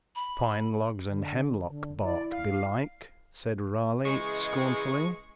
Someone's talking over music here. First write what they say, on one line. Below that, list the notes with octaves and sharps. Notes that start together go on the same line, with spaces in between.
"Pine logs and hemlock bark, belike," said Raleigh, scornfully.
B5
D3
D3
E4 D5
F5
C#3 E3 G#3 C#6